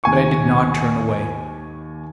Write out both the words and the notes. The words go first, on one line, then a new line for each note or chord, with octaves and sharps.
But I did not turn away.
D#2 G#5 C#6